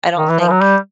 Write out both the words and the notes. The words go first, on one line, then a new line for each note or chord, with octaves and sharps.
I don't think
D#3
E3
F3
F#3
G3